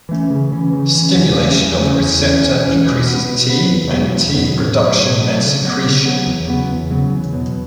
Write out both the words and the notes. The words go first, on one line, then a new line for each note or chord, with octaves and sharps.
Stimulation of the receptor increases T and T production and secretion.
E3 A3 C#4
C#3
E3 C#4
C#3
E3 C#4
E2
C#3 A3 C#4
E2
C#3 A3 C#4
E2
E3 C#4
E2
E3 C#4
B2
B3
B2
B3
E2
B2 F#3 B3
E2
B2 F#3 B3
A2
F#3 A3
A2
F#3 A3
C#3
F#3 B3
C#3
F#3 B3
E2
C#3 F#3 B3
E2
C#3 F#3 B3
E2
B2 F#3